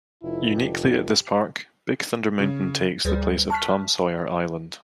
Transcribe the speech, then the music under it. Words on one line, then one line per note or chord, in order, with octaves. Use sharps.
Uniquely at this park, Big Thunder Mountain takes the place of Tom Sawyer Island.
F1 E4
G4
C#3
D2 G3 G#4 B4 C5 A6
A5 C#6 F6 F#6 B6